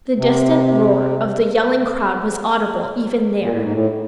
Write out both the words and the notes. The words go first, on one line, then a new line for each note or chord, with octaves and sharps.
The distant roar of the yelling crowd was audible even there.
C3
A#2
A2
G#2
A2